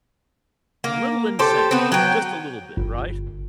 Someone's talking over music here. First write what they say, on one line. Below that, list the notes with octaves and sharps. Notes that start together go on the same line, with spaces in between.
Little insane, just a little bit, right?
A#3
G4 A4 C5
B3 C4
F#3 G5
G1